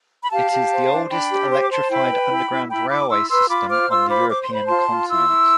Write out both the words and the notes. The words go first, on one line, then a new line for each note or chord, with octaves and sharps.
It is the oldest electrified underground railway system on the European continent.
B5
G4 F5 A5
G4
C5
D4
D4 G5 B5
G4
C5 C6
D6
C5 A5 C6
E4 G5 B5
B4
E4
E4
E4 G5 B5
E4 B5 D6
E4 C6 E6
B4 C6 E6
F4 B5 D6
C5 D6 F6
F4 C6 E6
C5 B5 D6
C5 D6
C6
C5 B5
F4 A5 C6
F4
E4 C6 E6
E4